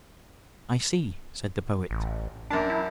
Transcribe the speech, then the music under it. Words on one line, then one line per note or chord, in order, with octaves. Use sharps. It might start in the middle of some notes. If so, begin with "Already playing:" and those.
"I see," said the Poet.
A1
F#2 D4 A#4 A5
E4